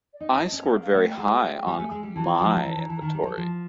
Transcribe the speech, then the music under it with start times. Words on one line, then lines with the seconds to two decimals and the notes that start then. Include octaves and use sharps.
I scored very high on my inventory.
0.13 D5
0.20 D#4 D#5
0.36 D4
0.52 C#4
0.64 B3
0.68 A#3 E5
0.81 F5
0.93 A3 F#5
1.06 G5
1.17 G#3 F#5
1.34 F5
1.50 G5
1.66 G3 G#5
1.79 A3
1.91 G#3
2.03 G3
2.16 E3 A5
2.24 A#5
2.34 A5
2.40 F3 A#5
2.52 A5
2.61 E3 A#5
2.70 A5
2.77 E3 A#5
2.88 E3 A5
2.97 A#5
3.01 D#3 A5
3.14 G3 A#5
3.23 F#3 A5
3.37 F3